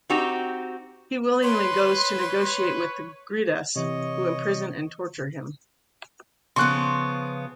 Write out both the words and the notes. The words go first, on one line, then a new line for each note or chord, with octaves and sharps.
He willingly goes to negotiate with the Griddas, who imprison and torture him.
C4 D#4 F#4 G4
B4 C#5 C6
C3 E3 C#5 D#5
C#3 F3 B3 C6 C#6 F#6